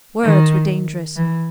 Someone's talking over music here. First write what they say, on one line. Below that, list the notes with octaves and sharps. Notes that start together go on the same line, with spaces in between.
Words were dangerous.
D#3
E3